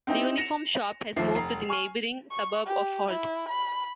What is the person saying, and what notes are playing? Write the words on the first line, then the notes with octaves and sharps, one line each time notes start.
The Uniform Shop has moved to the neighbouring suburb of Holt.
C4 D#4 E4 G4
A#6 C#7 E7 F7
D#2 F3 E5 C7
F1 A#5 C7
G#5 C#6 F6
C#6
G4
E4
B5